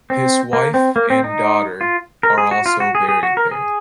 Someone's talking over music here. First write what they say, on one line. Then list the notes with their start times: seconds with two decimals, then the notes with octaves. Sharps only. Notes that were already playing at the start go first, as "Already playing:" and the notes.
His wife and daughter are also buried there.
0.10 C4
0.53 A#3
0.74 C4
0.96 A#3
1.10 C4
1.24 D#4
1.81 F4
2.23 A#4
2.38 G#4
2.51 F#4
2.66 F4
2.80 F#4
2.95 G#4
3.09 G#4
3.23 F#4
3.37 A#4
3.51 G#4